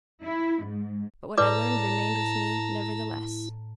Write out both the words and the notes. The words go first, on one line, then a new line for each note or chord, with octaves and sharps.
But what I learned remained with me, nevertheless.
E4
G#2
A2 E4 B4 D5 A5 A#5 D6 F#6